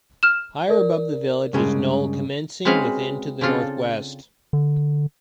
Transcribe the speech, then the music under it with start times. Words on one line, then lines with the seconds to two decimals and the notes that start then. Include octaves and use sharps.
Higher above the village is Knowle commencing within to the northwest.
0.23 F6 E7
0.69 A#4 D5
1.53 G2 C#3 G#3
2.65 G#3 C4 C#4 F#4 B4 F5
3.41 C#3 C4 D4 F4 A4
4.53 D3